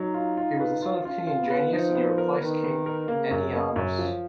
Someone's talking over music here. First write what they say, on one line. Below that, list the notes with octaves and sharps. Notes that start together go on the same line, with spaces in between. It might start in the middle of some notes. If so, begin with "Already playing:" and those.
He was the son of King Ingenius and he replaced King Enniaunus.
Already playing: F#3 D#4
F4
F4
B4
F4
C#4 F4
F4
B3
B4
F3 D#4
B3
A#4
D#3 B3
B3
A#4
C#3 A#3
F#2
A#3
F#2 C#3
F3